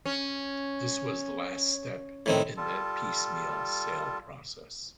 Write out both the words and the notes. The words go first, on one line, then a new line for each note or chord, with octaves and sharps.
This was the last step in that piecemeal sale process.
C#4
A2 D#3 C4
G3 F4 A4